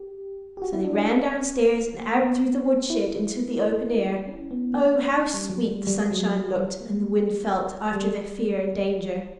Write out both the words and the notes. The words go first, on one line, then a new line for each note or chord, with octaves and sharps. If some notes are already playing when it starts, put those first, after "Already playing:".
So they ran downstairs, and out through the wood-shed into the open air. Oh, how sweet the sunshine looked, and the wind felt, after their fear and danger!
Already playing: G4
G4
F#4
E4
D4
C#4
A#3
B3
E4
C#4
B3
A#3
C#4
C#4
G3
F#3
G3
G3
F#3
G3
A#3
G3
G3